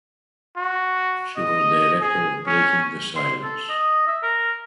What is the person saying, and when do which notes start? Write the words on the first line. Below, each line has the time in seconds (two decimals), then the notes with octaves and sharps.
She was director of Breaking the Silence.
0.57 F#4
1.37 D#5
2.01 G#4
2.46 C#4
3.16 C6
3.43 A4
3.70 D#5
4.07 E5
4.23 A#4